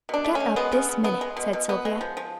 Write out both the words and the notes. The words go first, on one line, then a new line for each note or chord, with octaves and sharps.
"Get up this minute," said Sylvia.
B2 D4
A3
C#4
B2
G#3 B3
C#3
C#3
B3
G#3
B2
B2
B3
G#3
F3
F3